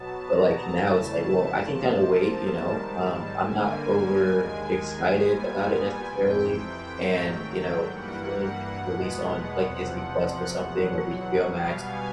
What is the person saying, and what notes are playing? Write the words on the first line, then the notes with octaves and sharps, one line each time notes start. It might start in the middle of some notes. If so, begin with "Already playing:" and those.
but, like, now it's, like, "Well, I can kinda wait," you know? Um, I'm not overexcited about it, necessarily, and, you know, as soon it release on, like, Disney Plus or something, or HBO Max or
Already playing: B2 F#3 B3 A5
A#5
E2 C#3 E3 A3 A5
A5
C3 F3 A#3 A5
G#2 D#3 G3
G2 D3 G3 A#3 G#5
D#2 D#3 G#3
A#2 G3 B3
F2 C3 E3 G5
G#2 D#3 F#3 A3
G2 E3 G3 A#3 F#5
E2 B2 G#3 B3
E2 C3 F3
E2 B2 F#3
B2 G3 B3 F5
G#5